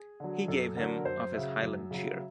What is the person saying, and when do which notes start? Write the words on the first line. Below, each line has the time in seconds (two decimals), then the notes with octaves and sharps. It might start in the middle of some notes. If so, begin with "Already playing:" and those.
He gave him of his highland cheer.
Already playing: G#4
0.20 D3 F#3
0.48 F#2 A4
0.77 D3 F#3 A#4
1.05 F#2 C5
1.34 C#3 F#3 E5
1.62 F#2
1.91 C#3 F#3